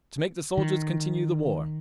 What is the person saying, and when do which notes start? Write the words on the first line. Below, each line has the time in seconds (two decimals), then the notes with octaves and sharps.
To make the soldiers continue the war.
0.57 D#3